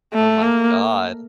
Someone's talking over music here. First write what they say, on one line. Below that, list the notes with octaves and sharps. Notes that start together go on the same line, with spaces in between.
Oh my god.
A3
A#3